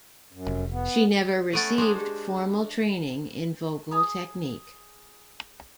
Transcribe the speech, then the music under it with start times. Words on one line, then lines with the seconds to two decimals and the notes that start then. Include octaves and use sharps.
She never received formal training in vocal technique.
0.32 F#2
0.47 F1
0.72 B3
1.53 A3 B3 C#4 A6 D7 D#7
1.78 G#3 D4 C5 C6 D#6
1.96 G4 G#4
3.91 G#4 A#5 D#6